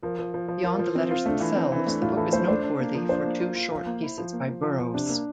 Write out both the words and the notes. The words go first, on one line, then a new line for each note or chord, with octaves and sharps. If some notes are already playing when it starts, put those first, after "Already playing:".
Beyond the letters themselves, the book is noteworthy for two short pieces by Burroughs.
F3 A#4
F3
F3
F3
F4 A#4
F3
C4
F4
A3 D4
E3
C4
E3
A3 D4
A2 F4
E3 A4
A3 C5
D4 C5
D4
A#3
F3
D4 C5
A#3
F4
F4
F3
A#3
E4
F3
A#3
F3
F3
F3
C3 D4
A#3